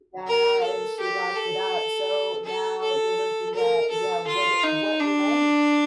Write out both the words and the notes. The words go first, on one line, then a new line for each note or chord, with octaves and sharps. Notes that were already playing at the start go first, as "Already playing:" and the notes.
Yeah, and she locked it up, so, now you're looking at yeah, what what length
A#4
A4
G4
A4
A4
A4
A#4
A4
F4
D#4
D4